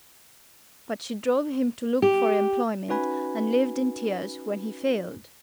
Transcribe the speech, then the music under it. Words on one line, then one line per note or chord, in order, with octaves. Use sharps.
But she drove him to look for employment, and lived in tears when he failed.
G4
C#4 D#4 F#4 B4 G#5 B5